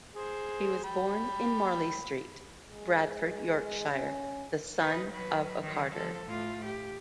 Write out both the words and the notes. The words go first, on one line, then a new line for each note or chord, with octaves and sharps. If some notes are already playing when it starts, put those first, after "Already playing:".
He was born in Marley Street, Bradford, Yorkshire, the son of a carter.
G#4 C5
G5 B5
G#3
C#4
D#4 B4
F#3 B4
D#3 F#3
F3 A4
A2 F4
G4